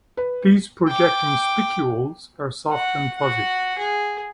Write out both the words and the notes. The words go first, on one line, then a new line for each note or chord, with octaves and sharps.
These projecting spicules are soft and fuzzy.
B4
G5 D6
F#4 F#5
F#4 F#5
G#4